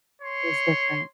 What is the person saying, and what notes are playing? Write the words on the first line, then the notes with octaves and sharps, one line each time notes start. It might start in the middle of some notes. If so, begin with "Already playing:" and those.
It was different.
C#5 C6